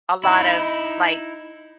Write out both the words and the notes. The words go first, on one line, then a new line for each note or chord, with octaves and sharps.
a lot of, like
D#4 E4